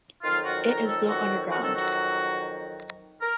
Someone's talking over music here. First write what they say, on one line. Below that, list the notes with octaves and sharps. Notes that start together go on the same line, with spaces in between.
It is built underground.
F2 D#3 F#3 F4
F#4
A#4
A4
F#4
F#4
A4
F#4
A#4